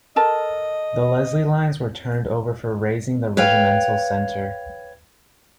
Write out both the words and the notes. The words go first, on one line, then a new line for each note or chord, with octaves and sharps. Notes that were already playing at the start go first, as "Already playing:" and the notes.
The Leslie lines were turned over for raising the Regimental Centre.
A4 A#4 D#5 A5
B4 C#5 F5 G5